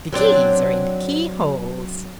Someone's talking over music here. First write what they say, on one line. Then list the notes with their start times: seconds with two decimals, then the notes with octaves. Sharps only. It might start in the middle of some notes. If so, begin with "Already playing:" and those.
The keys are in the keyholes.
0.13 F#3 C4 D4